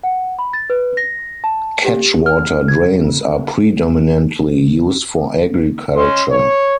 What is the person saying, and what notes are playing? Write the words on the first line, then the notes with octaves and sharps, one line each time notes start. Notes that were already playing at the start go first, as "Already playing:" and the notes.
Catchwater drains are predominately used for agriculture.
F#5
B5
A6
B4
A#6
A5
G4
F6
G#6
C#4 D#5 C6
C#5